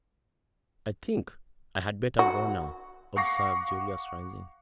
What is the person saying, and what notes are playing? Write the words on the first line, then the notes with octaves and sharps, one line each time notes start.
"I think I had better go now," observed Julius, rising.
F#4
F5 F#5 C#6 D6 A#6 C7